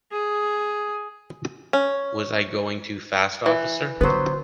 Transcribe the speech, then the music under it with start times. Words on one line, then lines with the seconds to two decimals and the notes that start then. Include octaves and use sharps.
Was I going too fast, Officer?
0.12 G#4
1.73 C#4
3.46 E3
4.01 D3 F#3 B3 B4 C5